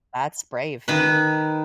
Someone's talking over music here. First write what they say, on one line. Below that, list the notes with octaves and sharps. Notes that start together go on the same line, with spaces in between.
That's brave.
D#3 B4